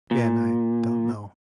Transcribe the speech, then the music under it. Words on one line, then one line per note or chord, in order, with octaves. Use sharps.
Again I don't know.
A#2